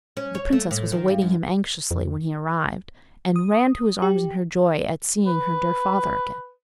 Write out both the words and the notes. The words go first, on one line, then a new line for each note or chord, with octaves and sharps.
The princess was awaiting him anxiously when he arrived, and ran to his arms in her joy at seeing her dear father again.
C#4
C#5
A3
A2
D#3
G2
F#2
F2
D#6
G4
B4